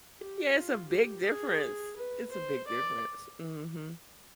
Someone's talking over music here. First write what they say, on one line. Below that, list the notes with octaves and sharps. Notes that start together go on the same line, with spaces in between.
Yeah, it's a big difference. It's a big difference. Mhm,
G4
F4
G4
G#4
B4
C5
D5